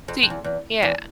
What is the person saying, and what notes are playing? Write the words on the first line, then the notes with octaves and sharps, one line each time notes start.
See yeah.
F2
F2
E2
E2
E2